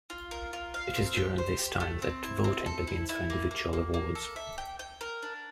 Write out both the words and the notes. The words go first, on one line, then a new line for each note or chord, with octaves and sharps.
It is during this time that voting begins for individual awards.
F4
A#4
F4
F5
C4
G4
C5
G4
A3
C4
E4
C4
A4
E4
E4
A#3
A#3
A#3
A#3
A4
E5
G5
G5
A#4
D4